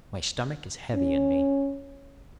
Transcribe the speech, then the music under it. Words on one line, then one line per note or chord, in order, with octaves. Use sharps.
My stomach is heavy in me.
C#4